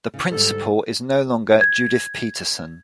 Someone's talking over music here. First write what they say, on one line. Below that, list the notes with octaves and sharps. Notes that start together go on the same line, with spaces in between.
The principal is no longer Judith Peterson.
C#3 E3
G#2 D3 G3 A4
G#6